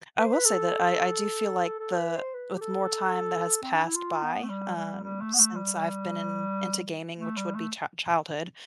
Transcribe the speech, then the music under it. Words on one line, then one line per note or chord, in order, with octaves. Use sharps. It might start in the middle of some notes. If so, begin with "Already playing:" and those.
I will say that I I do feel like the with more time that has passed by, um, since I've been in into gaming, which would be chi childhood,
B4
C5
B4
A4
A4
B4
C5
B4
G4
A4
C4
D4
E4
F4
B3
A3
G3
G3
G3
A3
B3
A3
G3
A3
G3
A3